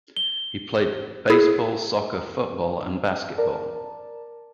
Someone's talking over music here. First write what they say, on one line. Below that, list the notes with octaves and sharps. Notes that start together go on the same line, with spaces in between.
He played baseball, soccer, football, and basketball.
G7
E4 G#4
A#4 D5 A5